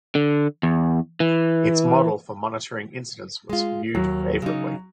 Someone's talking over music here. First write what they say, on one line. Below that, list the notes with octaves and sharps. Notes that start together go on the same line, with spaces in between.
Its model for monitoring incidents was viewed favourably.
D3
E2
E3
G#3 F4
D#2 F#3
C#3 D#4